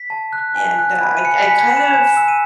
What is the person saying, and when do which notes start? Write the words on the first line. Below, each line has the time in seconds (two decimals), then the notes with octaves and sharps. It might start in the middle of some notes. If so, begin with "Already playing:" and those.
and I I kind of
Already playing: B6
0.10 A5
0.33 F#6
0.55 G#5
0.79 F#6
1.01 B5
1.17 D#7
1.25 G#5 C#7
1.42 B6
1.48 G#5 C#7
1.60 B6
1.71 F#6
1.77 E7
1.94 G#5 E7
2.17 E6
2.28 D#7